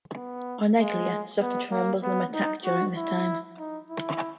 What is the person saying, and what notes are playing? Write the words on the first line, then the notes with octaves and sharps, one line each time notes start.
Oneglia suffered from a Muslim attack during this time.
B3
G#3
B3
A#3
B3
D#4
F#4
E4
D#4
E4